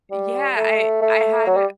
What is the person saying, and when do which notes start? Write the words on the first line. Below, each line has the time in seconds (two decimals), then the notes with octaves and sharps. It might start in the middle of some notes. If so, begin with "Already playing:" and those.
Yeah, I I had a
0.11 G3
0.56 A3
1.02 A3
1.46 F#3
1.56 G3